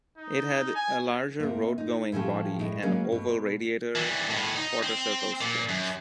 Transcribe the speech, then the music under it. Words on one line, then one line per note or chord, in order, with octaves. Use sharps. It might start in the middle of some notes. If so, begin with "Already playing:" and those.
It had a larger roadgoing body, an oval radiator, and quarter-circle springs.
D#4
G#5
C3 A#3
D#4
A2 C#3 F3 G4
A2 G#3
C#3 F#3 G#3 A#3 C#4
B2 A3
E3 G3
A2 B3
D#4
C4
A#2
F#2